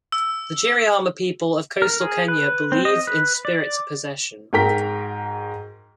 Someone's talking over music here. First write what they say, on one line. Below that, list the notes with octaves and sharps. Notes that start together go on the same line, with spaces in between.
The Giriama people of coastal Kenya believe in spirit possession.
E6
A#4
G#4
B4
C4
D#5
B4
D5
G#2 F#4 A#4 G5 A#5 B6